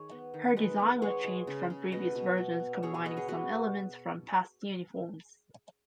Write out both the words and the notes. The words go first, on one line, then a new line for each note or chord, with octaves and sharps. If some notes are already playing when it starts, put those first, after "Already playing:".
Her design was changed from previous versions, combining some elements from past uniforms.
Already playing: D#3 G#4 C#5
B3
D#3
G#3 B4 D#5
B3
G#3 G#4 C#5
G#3
C#3
C#3
B2 B4 D#5
B2
B3
B3
B2 G#4 C#5
G#4 C#5
B3 B4 D#5
G#4 C#5
B3 F#4 B4